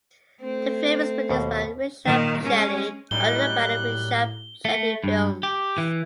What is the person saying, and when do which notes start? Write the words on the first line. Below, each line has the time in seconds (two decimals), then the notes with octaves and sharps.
The film is produced by Rishab Shetty under the banner Rishab Shetty Films.
0.41 A3 C4
1.29 D#2 B2
2.05 A#2 D#3
2.43 G#3 C#4
3.11 F#2 A2 G3 D#4 F#6 G7
4.65 A3
5.04 G2
5.43 G4
5.78 E3